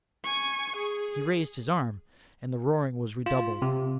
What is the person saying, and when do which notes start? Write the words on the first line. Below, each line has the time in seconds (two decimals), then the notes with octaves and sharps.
He raised his arm, and the roaring was redoubled.
0.24 G#5 C#6
0.77 G#4
3.26 F4
3.62 C3